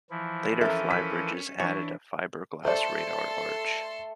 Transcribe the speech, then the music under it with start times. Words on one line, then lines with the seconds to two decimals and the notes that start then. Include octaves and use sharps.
Later flybridges added a fiberglass radar arch.
0.10 E3 F3 E4
0.61 C#4 A4 A#4 E5
0.91 B6
1.60 E3 D4 C#5 C#6
2.65 A3 A4 C5 D5 C6